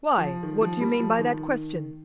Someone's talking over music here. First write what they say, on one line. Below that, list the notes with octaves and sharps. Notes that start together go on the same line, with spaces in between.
"Why?--what do you mean by that question?"
F3
D#3
F3
G3
F3
D#3